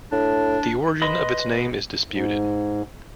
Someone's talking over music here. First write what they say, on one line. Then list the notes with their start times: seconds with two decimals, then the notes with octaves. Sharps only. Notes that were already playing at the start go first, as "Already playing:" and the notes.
The origin of its name is disputed.
0.12 A2 D4
1.02 B4 D#5 B5 C6
2.11 G#2